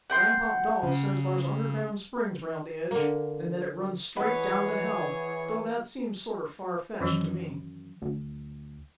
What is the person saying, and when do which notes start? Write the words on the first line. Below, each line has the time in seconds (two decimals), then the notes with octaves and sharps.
Granpop Dawes says thar's underground springs around the edge, and that it runs straight down to hell, though that seems sorter far-fetched to me.
0.10 F#5 G5 C6
0.83 C#3
2.91 D3 A#3
4.17 E3 G#4 B4 C#5 D#5 F#5
7.01 F#2 D#3 E3 F#3
8.02 D2